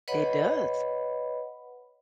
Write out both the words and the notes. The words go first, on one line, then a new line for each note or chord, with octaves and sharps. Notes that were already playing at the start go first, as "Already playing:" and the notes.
It does.
B4 C#5 D#5 F#5 B5